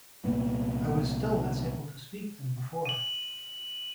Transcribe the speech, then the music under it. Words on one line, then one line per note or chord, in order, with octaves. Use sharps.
I was still less able to speak than before.
C2 A#2 A#3 B3
D#7 F#7